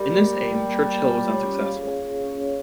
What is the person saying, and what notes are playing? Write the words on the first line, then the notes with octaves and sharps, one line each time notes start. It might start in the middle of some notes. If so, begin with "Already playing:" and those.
In this aim, Churchill was unsuccessful.
Already playing: G3 A#4
A#3
A#4
A#4
A#3
A#4
A#3
F4
C#5
C#4
F5
G#4
G#4
G#4
C#4
C#5